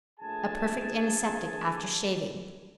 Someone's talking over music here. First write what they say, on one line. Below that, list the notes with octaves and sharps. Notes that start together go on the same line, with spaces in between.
A perfect antiseptic after shaving.
A#1 A3 G#4 G#5 A5